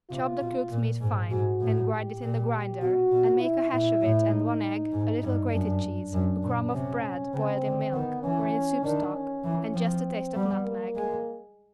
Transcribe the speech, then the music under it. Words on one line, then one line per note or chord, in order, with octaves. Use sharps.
Chop the cooked meat fine and grind it in the grinder and make a hash of it and one egg, a little grated cheese, a crumb of bread boiled in milk or in soup stock and just a taste of nutmeg.
C3 F4
B2
A#2
G#2
G#2 F#4
A2
G4
A#2
B2 F#4
B2
E4
A#2 E4
A2
D#4
G#2
G2 D#4
F#2 D4
F#2
A#2
C3 C#4
C#3 C4
D3
D#3 B3
E3 C#4
D#3 D4
C#4
E3
F3 C4
G3 B3
A#3
G#3